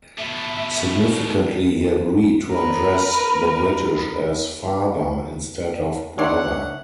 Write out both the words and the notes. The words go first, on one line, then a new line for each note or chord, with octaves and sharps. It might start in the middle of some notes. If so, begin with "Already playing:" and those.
Significantly, he agreed to address the British as "father" instead of "brother".
B2 A3 E5
A#4 B4
D4 D#4 C#5 D5 E5 F#5 C6